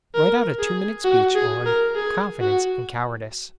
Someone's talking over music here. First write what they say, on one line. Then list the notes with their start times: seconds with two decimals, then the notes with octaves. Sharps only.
Write out a two-minute speech on "Confidence and Cowardice."
0.15 A#4
0.60 G#4
1.05 F#4
1.35 G#4
1.66 A#4
1.96 G#4
2.41 F#4